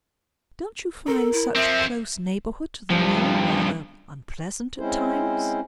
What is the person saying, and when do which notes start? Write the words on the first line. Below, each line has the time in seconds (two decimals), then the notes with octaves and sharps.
'Don't you find such close neighbourhood to the mill rather unpleasant at times?'
1.08 A4 A#4
1.33 E4
1.55 F3 C4 E5
2.91 G2 F3
4.79 G#3 C4 C#4 E4 C5